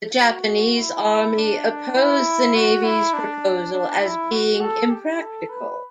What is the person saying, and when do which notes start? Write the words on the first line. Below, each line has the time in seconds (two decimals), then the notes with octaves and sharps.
The Japanese Army opposed the Navy's proposal as being impractical.
0.19 F#4
0.77 E4
1.36 D4
1.95 E4
2.55 F#4
2.84 E4
3.13 D4
3.73 D4
4.02 E4
4.31 F#4
4.60 A4
4.89 G4
5.19 A4
5.49 B4